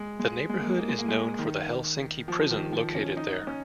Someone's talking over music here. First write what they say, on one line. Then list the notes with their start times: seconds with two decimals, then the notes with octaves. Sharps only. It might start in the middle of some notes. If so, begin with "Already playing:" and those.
The neighbourhood is known for the Helsinki Prison located there.
Already playing: G#3
0.19 G#3
0.49 G#3
0.60 A#3
0.69 G#3
0.79 A#3
0.89 G#3
0.99 A#3
1.08 G#3
1.39 D#3
2.28 F3
2.51 D#3
2.72 F3
2.95 C#4
3.17 D#4
3.47 C#4